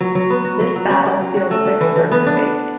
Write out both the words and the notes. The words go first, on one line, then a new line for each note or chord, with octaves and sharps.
This battle sealed Vicksburg's fate.
F#3
F#3
B3
F#4
F#3
F#3
C#4
G4
F#3
F#4
A3
D4
E3
E3
B3
D4